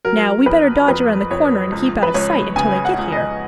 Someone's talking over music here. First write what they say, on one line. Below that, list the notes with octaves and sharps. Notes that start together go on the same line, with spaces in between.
Now we'd better dodge around the corner and keep out of sight until they get here.
F#3 A#4
F2 B4
F2 B4
F2 C#5
C#2
B4
C#2 C#5
C#3 G#5
F#5
C#2
D#5